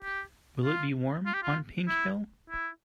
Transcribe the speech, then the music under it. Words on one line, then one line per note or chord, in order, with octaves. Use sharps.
Will it be warm on Pink Hill?
G4
F4
F4
G4
F4
E4
E4